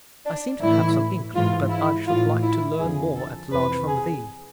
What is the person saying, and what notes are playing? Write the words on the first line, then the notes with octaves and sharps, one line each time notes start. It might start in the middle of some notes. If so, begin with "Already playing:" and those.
'I seem to have some inkling, but I should like to learn more at large from thee.'
D4
A2 E3 E4
G#2 E3 F4
E4
A2 E3 F4
E4
F2 D3 F3 G#4
A4
F2 C3 E3 B4
G#4